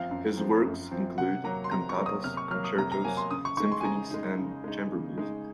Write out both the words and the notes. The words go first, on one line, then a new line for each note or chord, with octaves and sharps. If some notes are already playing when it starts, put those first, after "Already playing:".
His works include cantatas, concertos, symphonies, and chamber music.
Already playing: F#2 F3 C4 F5
F#2
F3 C4
F#2
F3 C4
C3 F#5
F#3 A#3 A#5
C6
C3 A#5
C#6
F#3 A#3
D#6
C3 F6
C#6
F#3 A#3 F6
D#6
C3 A#5
A#5
F#3 A#3 G#5
C6
C#3 D#6
C#6
G#3 D#4 C#6
C6
G#5
C#3 A#5
G#3 D#4
C#3
G#3 D#4
C#3
G#3 D#4